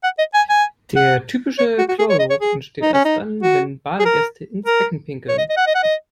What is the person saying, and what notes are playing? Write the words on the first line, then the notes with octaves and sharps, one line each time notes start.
Der typische Chlorgeruch entsteht erst dann, wenn Badegäste ins Becken pinkeln.
F#5
D#5
G#5
G#5
F#5
C#5
F#4
F#4
G#4
C#5
D#5
C#5
G#4
D#4
C#4
D#4
F#4
G#4
A#4
A#4
C#5
D#5
D#5
F#5
D#5
F#5
D#5